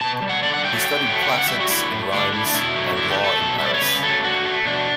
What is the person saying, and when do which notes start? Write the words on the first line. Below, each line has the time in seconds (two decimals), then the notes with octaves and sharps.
He studied classics in Reims and law in Paris.
0.01 B2 A5
0.22 G3
0.29 F#5
0.43 D3 D5
0.54 F#5
0.64 A3 G5
0.68 F#3
0.85 D3 G5
1.06 F#3 A3
1.22 F#5
1.28 C#3 G5
1.38 F#5
1.48 G3 E5
1.60 F#4
1.70 D3 E4
1.91 A3
2.12 D3 D4
2.33 A3 E4
2.46 D4
2.54 B2 E4
2.75 F#3 A3
2.97 D3 E4
3.11 G4
3.18 A3
3.25 A4
3.40 B2
3.59 G3 E5
3.66 D5
3.74 C#5
3.81 C#3 B4
4.03 F#3 A3 A4
4.24 D3 F#4
4.45 A3
4.66 B2 D4